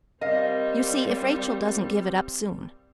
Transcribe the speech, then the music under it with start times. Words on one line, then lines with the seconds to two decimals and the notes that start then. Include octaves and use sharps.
You see if Rachel doesn't give it up soon.
0.21 G3 C4 A#4 D#5 F5